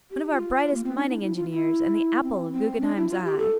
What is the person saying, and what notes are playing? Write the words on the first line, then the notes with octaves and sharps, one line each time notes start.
One of our brightest mining-engineers, and the apple of Guggenheim's eye.
G4
F4
A#3
C4
D4
E4
E4
F4
E4
C4
C4
D4
E4
F4
G4
A4